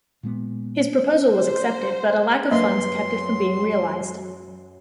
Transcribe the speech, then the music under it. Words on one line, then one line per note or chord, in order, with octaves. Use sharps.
His proposal was accepted, but a lack of funds kept it from being realized.
A#2 G#3 B3
C5
F#2 F#3 A#3 B4 D#5 E5 C6 C7